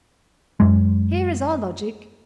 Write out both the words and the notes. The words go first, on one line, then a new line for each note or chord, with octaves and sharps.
Here is our logic.
F#2 G#3